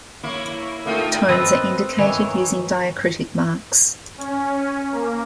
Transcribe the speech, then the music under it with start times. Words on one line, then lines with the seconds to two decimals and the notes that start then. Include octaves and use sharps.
Tones are indicated using diacritic marks.
0.23 A#3 E4 C#5
0.86 A3 A#3 D#4 F4 A#4 G5
1.29 C4 A4 B4 D#5 E5
1.98 D#3 E3 C#5
4.18 C#4
4.92 A#3